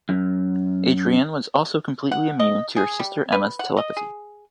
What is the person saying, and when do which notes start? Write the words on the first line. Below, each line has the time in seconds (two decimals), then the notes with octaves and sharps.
Adrienne was also completely immune to her sister Emma's telepathy.
0.09 F#2
2.12 F#5
2.40 D#5
2.76 G#4
2.99 G3
3.32 B4
3.59 F#5
3.77 D#5
3.97 G#4